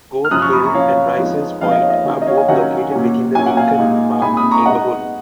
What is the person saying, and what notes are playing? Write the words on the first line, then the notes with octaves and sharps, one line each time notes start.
Goat Hill and Rice's Point are both located within the Lincoln Park neighborhood.
F6
F#2 C#3 F3 D#6 F#6
C#6 F6
B5 D#6
A#5 C#6
F#2 C#3 F3 C#5 F5
F2 F3 G#3 B3 D#4
F2 F3 G#3 B3 D#4 F5
D#5
C#5
D#5
D#3 F#3 C#4
D#5
C#5 F5
G#5
D#3 F#3 C#4 D#5 F#5
A#2 F#3 C#4
A#2 F#3 C#4 G#5
F#5
F5 G#5
A#2 G#3 D#4
A#2 G#3 D#4 G#5 B5
B5 D#6
A#5 C#6
B2 G#3 B3 D#4 D#5 F#5